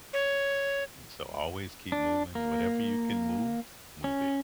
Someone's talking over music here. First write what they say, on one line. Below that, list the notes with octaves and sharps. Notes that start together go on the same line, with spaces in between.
And so always keep moving, whatever you can move, move it.
C#5
D4
A#3
C#4